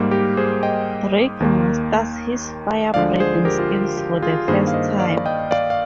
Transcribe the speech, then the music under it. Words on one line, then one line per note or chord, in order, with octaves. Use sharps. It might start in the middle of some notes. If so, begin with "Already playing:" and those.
Drake masters his fire-breathing skills for the first time.
Already playing: G#2 G3 A#3
G4 A#4
G#4 C5
D#5 G5
D#2 D#3 A#3
D2 D3 F3 G#3 D5 F5
G#4 C5
G4 A#4
F4
G4
G4
F4 G#4
G2 D#3 A#3 G#4 C5
F5
C5 D#5
D5 F5
D#5 G5
D5 F5
F5